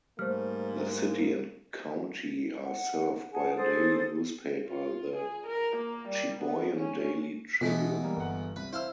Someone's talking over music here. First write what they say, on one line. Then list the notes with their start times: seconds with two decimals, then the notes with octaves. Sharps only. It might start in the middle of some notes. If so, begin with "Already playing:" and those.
The city and county are served by a daily newspaper, the "Cheboygan Daily Tribune".
0.19 G#2 G3 A3 A#3 C5 F6
2.64 F#5
3.33 G#4 F#5 G#5 A5
3.56 G#4 A4 C5 D#6
4.67 F4
5.16 G#4
5.47 A#4
5.76 A#3
6.08 G3
6.41 B3
6.76 C#4
7.61 B2 E3 G#3 A3 B3
8.03 G3 A#3
8.16 G1 F#5
8.56 C2 B4
8.73 E4 C5 F5 E6